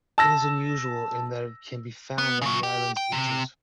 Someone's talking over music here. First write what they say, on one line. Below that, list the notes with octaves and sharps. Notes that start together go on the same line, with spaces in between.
It is unusual in that it can be found on the islands' beaches.
A5 E6 A#6
B3
C#3 F#3
G4
G5
C3